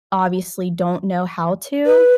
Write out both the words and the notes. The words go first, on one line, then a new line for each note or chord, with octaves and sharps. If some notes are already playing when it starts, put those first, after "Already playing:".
obviously don't know how to,
B4